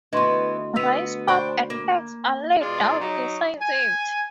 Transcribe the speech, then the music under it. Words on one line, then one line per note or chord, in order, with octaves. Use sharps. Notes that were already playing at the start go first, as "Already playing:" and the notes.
Rice pap and eggs are laid down beside it.
D2 E3 B3 D#5 C6 C#6
B3 E6 B6 F7
D4 C5 G5 B5 C#6
A#3
B2 G#3 F4 D5
F#3 D#4
G#5